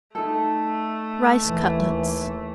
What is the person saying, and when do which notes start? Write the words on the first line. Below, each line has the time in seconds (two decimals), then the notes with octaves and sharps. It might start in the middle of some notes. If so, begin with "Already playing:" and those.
Rice Cutlets.
0.15 A3 D#4 A4
1.40 D#2 E3